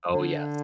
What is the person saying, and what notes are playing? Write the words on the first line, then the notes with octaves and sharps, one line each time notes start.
Oh, yes.
D3